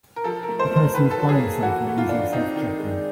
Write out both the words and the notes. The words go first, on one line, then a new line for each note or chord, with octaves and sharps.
A person is buying something using selfcheckout.
A#4
F3 A4
A#4
A3
C5
A3
C5
D#3 B4
A4
F#3
G#4
A#3
E3 F#4
A3
F4
D4
C4 D#4
D#3
G#3